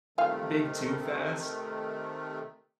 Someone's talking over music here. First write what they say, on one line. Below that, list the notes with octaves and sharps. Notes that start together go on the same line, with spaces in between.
big too fast.
C3 D#3 G3 A3 F4 F5